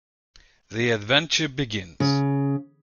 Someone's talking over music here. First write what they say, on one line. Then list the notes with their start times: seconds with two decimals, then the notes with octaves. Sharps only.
The adventure begins.
2.00 C#3